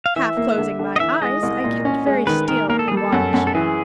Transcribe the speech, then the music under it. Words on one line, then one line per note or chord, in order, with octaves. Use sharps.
Half closing my eyes, I kept very still and watched.
F5
E3 E5
A#3
D3
D3
D#5
E3 E5
G#3 D#5
C2
A#2
C#4
G#3
D#3 B4
D#3 A#4
A#3 A#4
A4
G3 G#4
A4
F#2
F#2
A4
E3 G#4